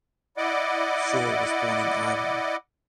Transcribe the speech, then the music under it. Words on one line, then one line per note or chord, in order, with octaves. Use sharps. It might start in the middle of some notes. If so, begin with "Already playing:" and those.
Shaw was born in Ireland.
E4 D5 D#5 F#5 D6